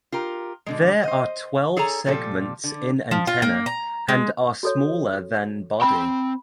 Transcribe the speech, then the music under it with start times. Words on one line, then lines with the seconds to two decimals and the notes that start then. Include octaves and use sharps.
There are twelve segments in antenna and are smaller than body.
0.12 F4 G4 A#4
0.66 B2 D3 G#3
1.04 C5 D#5
1.77 G#4 A4 C#5 G#5 A#5
2.06 A#2 F3 G3 A4
2.64 D3
3.11 F3
3.27 F4
3.42 A#3
3.66 A#5
4.08 G#3
4.63 F#4 A4 C#5
5.82 C4 G5 B5